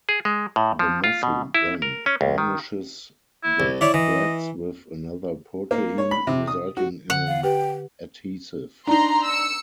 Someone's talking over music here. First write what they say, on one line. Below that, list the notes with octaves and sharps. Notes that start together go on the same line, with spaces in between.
The mussel then varnishes the threads with another protein, resulting in an adhesive.
G#4
G#3
A2
F3
F4
B2
E4
A#4
C#4
C#2
D#3
E4
C2
E4 C#5 D5
E3 D#5
A#3
C#5
B5
C3
D#6
F#4
D3 F#5
F5
G4 B4 G5
D4 D#4 A#5 C6
E6 C#7